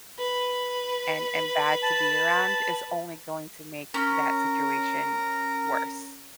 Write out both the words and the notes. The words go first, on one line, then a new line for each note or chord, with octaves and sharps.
and and bad to be around is only going to make that situation worse.
B4
A5
C#4 A#4